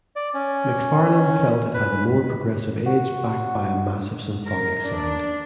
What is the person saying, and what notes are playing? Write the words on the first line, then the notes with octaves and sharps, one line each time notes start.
McFarlane felt it had a "more progressive edge backed by a massive symphonic sound".
D5
C#4
B4
F#4
A#4
D4